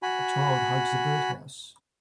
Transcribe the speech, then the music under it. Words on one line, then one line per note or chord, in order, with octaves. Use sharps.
A child hugs a birdhouse.
F#4 G#5 B5